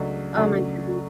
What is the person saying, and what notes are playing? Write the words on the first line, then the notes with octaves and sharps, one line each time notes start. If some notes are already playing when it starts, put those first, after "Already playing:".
Oh my goodness.
Already playing: C#2 C#3 F#3 A3 D4
C#2 C#3 F#3 A3 D4